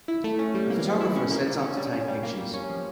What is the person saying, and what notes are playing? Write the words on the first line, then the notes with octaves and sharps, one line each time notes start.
A photographer sets up to take pictures.
E4
A3
C#4
G3
A#3
F3
E4
C#4
A#3
F3
C#4
G3
C#4
G3
A#3
G3
C#4
F3